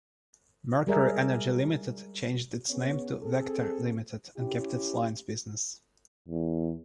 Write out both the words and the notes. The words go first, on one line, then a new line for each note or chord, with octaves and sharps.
Mercury Energy Limited changed its name to Vector Limited and kept its lines business.
G3 G#3 G#4 A#4 D5 E5
B3 C#4 G#4 C#5
C4 G#4 A4
C#4 E4 G4
E2